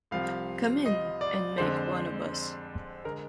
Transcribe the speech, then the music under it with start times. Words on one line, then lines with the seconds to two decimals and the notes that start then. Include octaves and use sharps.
Come in, and make one of us.
0.11 C2 C3 F3 F5
0.86 D#5
1.21 D5
1.58 F2 D3 G#3 C5
3.04 D3 G#3 A#4